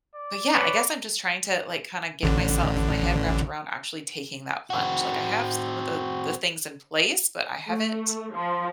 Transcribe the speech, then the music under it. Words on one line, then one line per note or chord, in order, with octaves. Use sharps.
but, yeah, I guess I'm just trying to, like, kinda get myself my head wrapped around actually taking that plunge, like, I have some of the the things in place, but I haven't
D5
B4 C#5 D5
A1 D3
C4 F#4
A3
F3